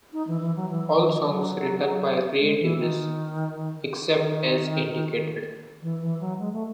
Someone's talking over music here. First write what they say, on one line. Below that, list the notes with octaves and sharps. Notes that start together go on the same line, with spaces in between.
All songs written by Ray Davies, except as indicated.
D#4
E3
E3
F#3
E3
E3
D#3
F#3
G#3
E3
D#3
D#3
E3
E3
F#3
G#3
A3